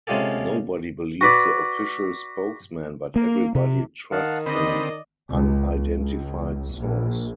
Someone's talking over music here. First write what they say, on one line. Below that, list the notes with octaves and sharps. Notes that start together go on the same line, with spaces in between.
Nobody believes the official spokesman but everybody trusts an unidentified source.
C3 G#3 C#4 F4 G4 A4
F#4 B4 D5
A#3
C3
D#3 F5 F#5 A5
D3 C4 D#4 D5 D#5 B5
C#2
C#2
A#1